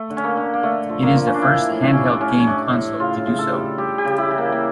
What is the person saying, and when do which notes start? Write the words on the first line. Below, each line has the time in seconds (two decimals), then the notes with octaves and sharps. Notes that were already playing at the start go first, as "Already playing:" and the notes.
It is the first handheld game console to do so.
Already playing: A3
0.10 D3
0.17 C#4
0.24 A#3
0.37 D3
0.54 A#3
0.63 D3 A3
0.89 F3
1.03 A#3
1.16 F3
1.27 C#4
1.34 D4
1.41 E3 E4
1.69 A2
1.82 D4
1.93 G3 C#4
2.05 D4
2.21 A2 C#4
2.40 C#4
2.47 A2 D4
2.73 A2
2.99 C#3 F4
3.26 C#3
3.39 A4
3.52 G3
3.78 G3 G4
3.98 G4
4.05 C#3
4.18 E4
4.31 E3
4.38 A#3
4.52 A#3